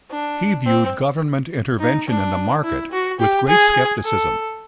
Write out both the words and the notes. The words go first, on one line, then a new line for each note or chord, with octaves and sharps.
He viewed government intervention in the market with great skepticism.
D4
C4
D#4
D4
E4
F#4
G4
G#4
A4